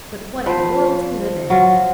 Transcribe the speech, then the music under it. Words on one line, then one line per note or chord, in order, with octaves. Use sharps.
But what a world to live in!
F3 B4 C5
F#3 F4